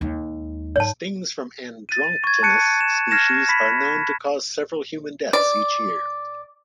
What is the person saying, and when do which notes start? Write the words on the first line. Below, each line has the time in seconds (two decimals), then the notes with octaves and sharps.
Stings from "Androctonus" species are known to cause several human deaths each year.
0.01 D#2 G#3
0.76 G#2 C#5 A5
1.89 A6 D#7
2.24 C#6 G#6
2.43 A5 F#6 C#7 D#7
2.81 E7
3.11 F6 G#6 A#6 C7 E7
3.49 B5 B6
5.33 D5